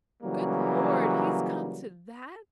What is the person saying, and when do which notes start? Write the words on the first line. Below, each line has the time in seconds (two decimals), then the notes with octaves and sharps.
"Good Lord, he's come to that!"
0.23 C#3 E3 F#3 G3 A#3